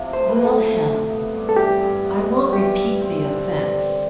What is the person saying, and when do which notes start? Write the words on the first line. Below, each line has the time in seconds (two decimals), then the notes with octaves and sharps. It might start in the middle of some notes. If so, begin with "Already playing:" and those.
'Well, Helen, I won't repeat the offence.
Already playing: C3 F3 E4
0.13 A3 C5
0.29 B4
0.37 E4
0.45 A4
0.61 F3
0.85 C3
1.10 B3
1.33 G2
1.49 A4
1.56 E3 G4
1.81 G2
2.05 B3
2.29 G2
2.53 E3 G4
2.77 G2
3.01 C4
3.24 D3
3.48 G3
3.73 D3